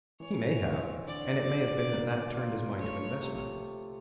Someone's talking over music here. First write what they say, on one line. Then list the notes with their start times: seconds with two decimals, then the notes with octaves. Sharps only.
He may have, and it may have been that that turned his mind to investment.
0.20 E3 C#5
0.63 C4
1.07 D3 D5
1.50 D3
1.93 A#3
2.37 F4
2.79 A3 C#5
3.23 C3